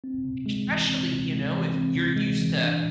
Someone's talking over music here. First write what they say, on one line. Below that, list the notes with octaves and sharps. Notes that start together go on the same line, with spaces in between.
Especially, you know, if you're used to,
C4
C3
G#3
E3
C4
C3
G#3
E3
C4
C3
G#3
E3
D4